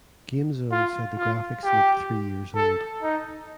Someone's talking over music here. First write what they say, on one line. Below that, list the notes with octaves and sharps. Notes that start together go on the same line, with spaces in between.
Gamezone said the graphics looked three years old.
F4
F4
G4
A4
D#4